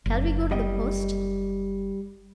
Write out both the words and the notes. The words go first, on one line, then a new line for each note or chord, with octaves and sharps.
Shall we go to the post?
F#1
G3 D#5 G5